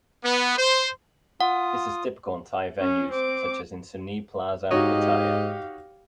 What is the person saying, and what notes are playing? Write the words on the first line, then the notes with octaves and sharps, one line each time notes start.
This is typical in Thai venues, such as in Sunee Plaza, Pattaya.
B3
C5
F4 F#5 D#6
C#4
C4 D6
G#2 D#4 F#4 G4 C#5 D#5 F5